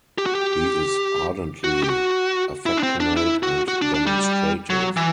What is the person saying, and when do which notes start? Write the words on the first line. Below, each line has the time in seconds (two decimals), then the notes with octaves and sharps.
He is ardently affectionate and demonstrative.
0.18 G4
0.26 F#4
0.35 G4
1.64 F#4
1.84 G4
1.90 F#4
2.66 E4
2.77 D4
2.83 C4
3.00 D4
3.17 E4
3.43 F#4
3.68 F#4
3.82 D4
3.94 D4
4.06 G3
4.70 F#3
4.97 E3